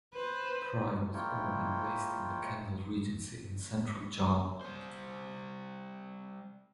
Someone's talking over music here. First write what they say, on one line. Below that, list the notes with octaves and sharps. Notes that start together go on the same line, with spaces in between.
Prie was born and raised in the Kendal Regency in Central Java.
B4 C5
G#3 A#3 E4 F4 C#5 G5
G3 C5